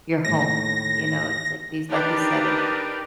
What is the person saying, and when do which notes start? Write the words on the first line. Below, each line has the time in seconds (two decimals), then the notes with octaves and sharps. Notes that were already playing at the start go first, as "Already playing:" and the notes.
your home, you know? It's like these like you said it,
0.25 D#2 A2 A#6
1.90 D4 D#4 G4 A#4 B4